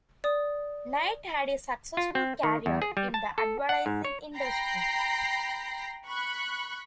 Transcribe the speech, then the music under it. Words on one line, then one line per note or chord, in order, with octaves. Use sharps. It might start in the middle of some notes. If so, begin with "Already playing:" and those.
Knight had a successful career in the advertising industry.
D5 D#6
F4
C4
D#3
E2
G#4
G3
A5
A4
F#5
G#2
C#5
G5 A#5 B5 A#6 C7
B5 C#6 F#6